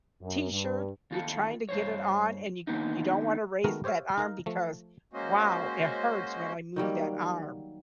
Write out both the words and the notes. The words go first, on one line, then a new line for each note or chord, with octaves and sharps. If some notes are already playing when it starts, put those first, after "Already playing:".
t-shirt, you're trying to get it on, and you c you don't wanna raise that arm because, wow, it hurts when I move that arm.
F#2
G2
D#2 F4 A4
G2 C5 C#5
D#3 A#3 B3 D4 D#4
D#3 G#3 A3 B3 F#4 A#4
G4 C5 C#5 E5 F5
D#4 A#4 F5 A#5
F3 A3
G#3 A#3 C#4 F#4 C5 D#5
D#3 F#3 G3 A#3